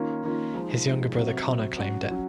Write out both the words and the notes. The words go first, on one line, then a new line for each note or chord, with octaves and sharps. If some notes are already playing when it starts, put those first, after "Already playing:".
His younger brother, Conor, claimed it.
Already playing: D#3 A#3 C#4 F4
D#3 A#3 C#4 F4
F3 G#3 D#4
F3 G#3 D#4
C3 F#3 C4 F#4
C3 F#3 C4 F#4
F#3 C#4 F#4
F#3 C#4 F#4